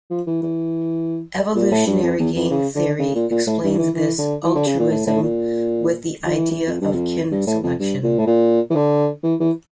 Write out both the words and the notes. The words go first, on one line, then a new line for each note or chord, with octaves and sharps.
Evolutionary game theory explains this altruism with the idea of kin selection.
F3
E3
E3
A#2
A2
G2
F2
E2
F2
C#3
D3
C#3
A#2
A#2
A2
G2
E3
E3
D3
E3
D3
C#3
A#2
A2
A2
A#2
F3
E3
E3
F2
G2
F2
G2
A2
F2
G2
A#2
A2
A#2
E3
D3
E3
E3